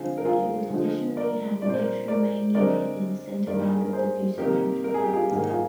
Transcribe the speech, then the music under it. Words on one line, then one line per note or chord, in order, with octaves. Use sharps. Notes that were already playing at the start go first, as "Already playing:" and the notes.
It would additionally have an extra main unit in the centerline of the fuselage.
Already playing: D3 F3 G#3 C4 F4 G#4
A#4
F4 G#4
D3 F3 G#3
A#4 D5
A#2 F3 C4 D5
C5
A#4 D5
A#4 D5
D3 G#3 C4 A#4 D5
G2 D#3 A#3 A#4 D5
G#4
A#4
G#4 C5
C3 D#3 A#3 G4 A#4
A#4
G#4
G4
F4 G#4
G#2 D#3 A#3 G#4
A#4
F4 G#4